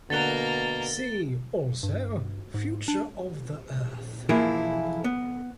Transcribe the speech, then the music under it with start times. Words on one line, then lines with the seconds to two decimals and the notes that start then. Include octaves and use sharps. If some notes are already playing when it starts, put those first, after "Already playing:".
See also Future of the Earth.
0.10 B2 D3 A#3 A#4 F#5 A6 G7
1.83 G2
2.54 G#2
2.88 D4
4.29 E3 F3 A#3 E4 F4 G#4
5.04 B3